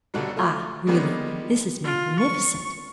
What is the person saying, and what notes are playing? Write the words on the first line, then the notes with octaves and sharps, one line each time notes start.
Ah, really this is magnificent!
B1 D3 F#3 G3
A3 F4
D#3 G3 G#3 A#3 B3 C#4
F4
C#6